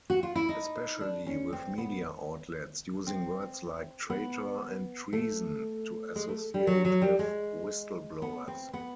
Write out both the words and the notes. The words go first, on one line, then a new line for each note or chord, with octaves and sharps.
Especially with media outlets using words like "traitor" and "treason" to associate with whistleblowers.
F#4
F4
E4
D#4
D4
C#4
C4
B3
C4
B3
A3
G#3
A3
G3
F#3
F#3
G3
G#3
B3
C4
B3